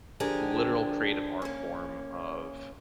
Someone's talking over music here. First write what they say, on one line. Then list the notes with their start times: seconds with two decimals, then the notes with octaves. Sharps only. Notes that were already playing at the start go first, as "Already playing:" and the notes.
literal creative art form of
0.20 D3 F3 D4 G4 G#4 A#4
1.42 A#3 C#4